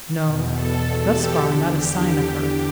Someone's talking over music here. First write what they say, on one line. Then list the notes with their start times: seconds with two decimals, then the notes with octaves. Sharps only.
No; thus far, not a sign of her.
0.22 E2 B2
0.52 A4
1.11 G4
1.41 E2 D3
1.71 G4